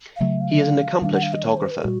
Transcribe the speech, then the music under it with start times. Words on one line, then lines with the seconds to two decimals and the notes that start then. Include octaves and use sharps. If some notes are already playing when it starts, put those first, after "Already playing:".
He is an accomplished photographer.
0.16 F5
0.20 C#3 F#3 A3 E5
0.41 F5
0.51 E5
0.62 F5
1.02 D#3 G3 B3 D4 F5
1.13 F#5
1.23 F5
1.33 D#5
1.44 C#5
1.57 C5
1.71 B4
1.85 A#2 G3 F#4